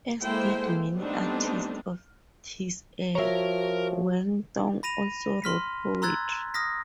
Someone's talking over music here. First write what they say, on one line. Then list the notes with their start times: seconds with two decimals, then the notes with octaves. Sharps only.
As did many artists of his era, Wen Tong also wrote poetry.
0.23 G#3 A#3 E4 A4 C5 G5
0.96 G3 A3 B3 C4 D4 D#4
3.15 F3 F#4 A#4 C#5 E5 A#5
4.83 B5 A#6 D#7 F7
5.44 C6 F6 B6
6.02 A#5 C6 E6 F#6 G#6 A6
6.54 D#6 F6 A#6 B6